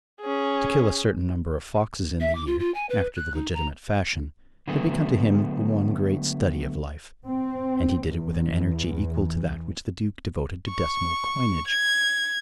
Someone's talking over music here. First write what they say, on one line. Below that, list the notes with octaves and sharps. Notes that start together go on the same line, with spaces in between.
To kill a certain number of foxes in the year, after the legitimate fashion, had become to him the one great study of life;--and he did it with an energy equal to that which the Duke devoted to decimal coinage.
C#4 G#4
E5
D6
F4
F4
G#5
B4
F#6
D#4
A#5
D3 F#3 G#3 A3 B3
C4
E2
C#6
G#6